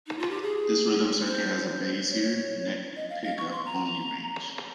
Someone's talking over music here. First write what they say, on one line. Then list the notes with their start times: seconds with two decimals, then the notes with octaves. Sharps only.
This rhythm circuit has a bassier, neck-pickup only range.
0.07 D#4
0.19 F4
0.30 G4
0.42 G#4
1.26 C5
2.11 C#5
2.96 D#5
3.10 F5
3.23 F5
3.37 C#6
3.52 C6
3.66 A#5